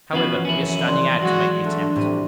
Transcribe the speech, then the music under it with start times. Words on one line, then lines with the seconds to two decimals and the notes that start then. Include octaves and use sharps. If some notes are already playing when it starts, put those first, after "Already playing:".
However, we are standing out to make the attempt.
0.13 E3 F3 B3 C#4 F4 F#4
0.45 F#2 C#4 E4
0.84 D5 C6
1.22 F#3 G#3 F#4
1.64 A3 D4
1.96 A2 C3 G3 D#7